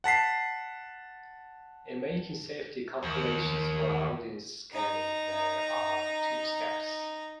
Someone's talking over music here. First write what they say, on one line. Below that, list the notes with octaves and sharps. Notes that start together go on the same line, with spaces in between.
In making safety calculations for audience scanning, there are two steps.
F#5 A5 B6 C7
D#2
D#4 A#5